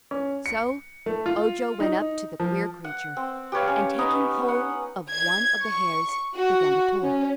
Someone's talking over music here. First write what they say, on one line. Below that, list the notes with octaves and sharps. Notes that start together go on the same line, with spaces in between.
So Ojo went up to the queer creature and taking hold of one of the hairs began to pull.
C#4
C#7
A3
F4
D#4
F3
F#5
C4
G4 B4 C#5 F5
C#4
B3 D#4
F#5
G#6
C#6
F#4
C#4